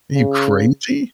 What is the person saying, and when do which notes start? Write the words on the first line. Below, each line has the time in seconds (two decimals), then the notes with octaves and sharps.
Are you crazy?"
0.15 C#3